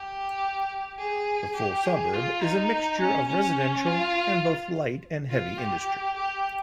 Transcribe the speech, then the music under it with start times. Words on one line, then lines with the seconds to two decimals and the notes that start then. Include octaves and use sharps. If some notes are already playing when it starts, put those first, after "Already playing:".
The full suburb is a mixture of residential and both light and heavy industry.
Already playing: G4
0.99 G#4
1.56 G4
1.85 G#4
2.14 F4
2.43 D#4
3.00 C#4
3.28 C#4
3.86 F4
5.30 F4
5.58 G4
6.16 G4